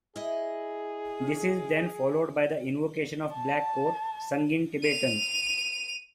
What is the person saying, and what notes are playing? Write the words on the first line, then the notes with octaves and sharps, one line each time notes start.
This is then followed by the "Invocation of Black Coat", sung in Tibetan.
E4 G#4 D#5
A5
D#7 F7